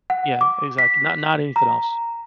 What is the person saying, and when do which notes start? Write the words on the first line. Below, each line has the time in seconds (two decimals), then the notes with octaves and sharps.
Yeah, exactly, not not anything else.
0.10 F#5
0.41 D6
0.78 B6
1.56 A#5